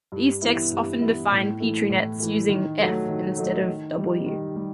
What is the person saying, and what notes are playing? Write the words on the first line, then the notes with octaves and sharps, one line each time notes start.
These texts often define Petri nets using "F" instead of "W".
G2
E3 B3 E4
G2
E3 B3 E4
A2
E3 A3
A2
E3 A3
D#3
F#3 A3 D#4
D#3
F#3 A3 D#4
D#3
G3 D#4
D#3
G3